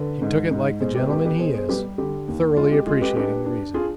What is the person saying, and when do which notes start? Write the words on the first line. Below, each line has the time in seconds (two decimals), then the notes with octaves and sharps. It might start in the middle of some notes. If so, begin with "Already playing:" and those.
He took it like the gentleman he is, thoroughly appreciating the reason.
Already playing: D3 B4
0.22 G#2
0.51 G#2
0.80 B2 G#4 C5
0.95 G4 B4
1.10 B2 G4 B4
1.25 G4 B4
1.39 B2 G#4 C5
1.54 G#4 C5
1.69 G3 G4 B4
1.98 D3 G4
2.28 D#2
2.57 G#3 F4
2.72 G4
2.86 G#3 F4 G#4
3.01 G4 B4
3.16 D4 G4 B4
3.46 D4
3.74 F4 G#4